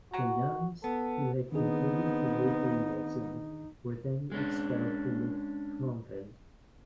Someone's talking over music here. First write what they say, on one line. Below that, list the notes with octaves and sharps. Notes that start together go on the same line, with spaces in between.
The nuns, who had converted to Lutheranism, were then expelled from the convent.
F#4 F#5 A#5
B3 A4
D#3 B3 C4 D4 D#4 G#4
G#3 C#4 D4